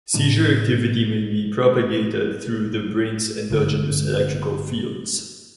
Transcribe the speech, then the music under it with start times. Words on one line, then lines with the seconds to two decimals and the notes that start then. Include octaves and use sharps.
Seizure activity may be propagated through the brain's endogenous electrical fields.
0.14 A2 G3 D4
3.50 G1 G2 D3